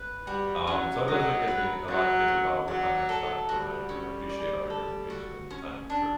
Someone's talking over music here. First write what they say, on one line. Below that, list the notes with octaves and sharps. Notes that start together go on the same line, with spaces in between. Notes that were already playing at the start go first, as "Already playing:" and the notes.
Um, so it definitely gives me a lot to think about with my next talk with my manager. I appreciate all your information and your time for sure.
Already playing: B4
G3 F#4
F#3 C#4
F#3 D#5
B4
F#3 F#4
C#4
F#3 D5
A4
G3 F#4
C#4
D5
A4
F#4
C#4
D4